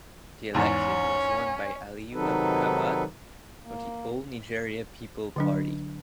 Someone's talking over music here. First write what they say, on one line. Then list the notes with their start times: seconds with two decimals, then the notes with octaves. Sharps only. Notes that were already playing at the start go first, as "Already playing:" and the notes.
The election was won by Aliyu Abubakar of the All Nigeria Peoples Party.
0.55 E2 G#2 C#4
2.13 C3 D#3 F#3 D#4 A4 B4
3.63 A#3
5.36 D3 F#3 D4